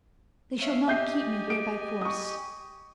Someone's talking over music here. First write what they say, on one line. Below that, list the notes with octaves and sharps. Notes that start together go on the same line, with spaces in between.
They shall not keep me here by force.
C#5 E5 F5
G4 D#5 E5 G#5 G6 C7
G#4 D7
C#6 D#6